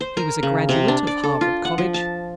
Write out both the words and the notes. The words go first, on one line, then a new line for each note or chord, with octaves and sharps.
He was a graduate of Harvard college.
C5
A#4
C#3
C3
D4
D5
A4
F4
F#5
F3
A5